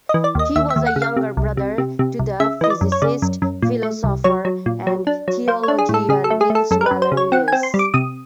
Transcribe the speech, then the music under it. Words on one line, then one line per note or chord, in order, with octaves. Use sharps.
He was a younger brother to the physicist, philosopher and theologian Nils Wallerius.
E3 D#5
D5
D#2 D#5
D#2 E5
E5
D#2
F#5
C#3
F5
C3
C2
C3
C3
C3
C2
C#3 E5
E3 D#5
D5
F#2
C#5
C#3 D5
F#2
F#2
A#2
A3
C2
F#3 C#5
F#3
A#2
F#3
D4
F#3
A#3 C5
D4 C#5
G#4
A2
A4
C#3 G#4
A4
A3
G#4
A3
A4
F#2 A4
A#4
F#2 B4
C5
C#3
C#5
C4 F#5
C4 G#5
C6
G3
D6
C3 D#6